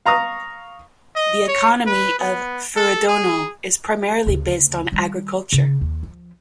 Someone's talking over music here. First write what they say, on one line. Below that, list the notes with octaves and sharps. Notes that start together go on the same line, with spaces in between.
The economy of Furudono is primarily based on agriculture.
F5 A#5 C#6 D#6
D#5
C#5
B4
B3
A4
G#4
D2 C#3
D#3 G3
C#3
D#2
F3